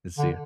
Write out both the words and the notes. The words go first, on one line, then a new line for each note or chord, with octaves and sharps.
I'll see ya.
D3